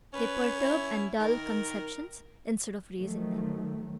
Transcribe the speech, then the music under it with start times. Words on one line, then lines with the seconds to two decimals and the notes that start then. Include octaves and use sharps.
They perturb and dull conceptions instead of raising them.
0.13 C#4 B4
0.59 E4
1.19 D#3 A#4
2.99 D#3 F3 F#3 A3